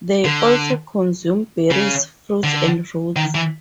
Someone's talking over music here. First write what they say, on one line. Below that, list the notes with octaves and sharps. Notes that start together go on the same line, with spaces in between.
They also consume berries, fruits, and roots.
D3
C#3
D3
D#3
E3